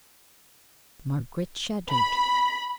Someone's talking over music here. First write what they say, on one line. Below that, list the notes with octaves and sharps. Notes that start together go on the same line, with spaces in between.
Margaret shuddered.
B5